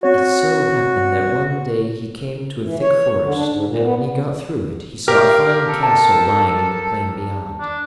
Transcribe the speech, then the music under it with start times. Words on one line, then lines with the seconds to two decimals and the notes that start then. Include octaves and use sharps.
It so happened that one day he came to a thick forest, and when he got through it, he saw a fine castle lying in the plain beyond.
0.03 C4 F#4 C#5
2.61 E3
2.81 C#5
3.22 D3
3.35 D4
3.50 G#2
3.66 A#2
3.82 B3
5.08 G4 A#4 F5
5.68 A4
5.83 A5
7.61 D4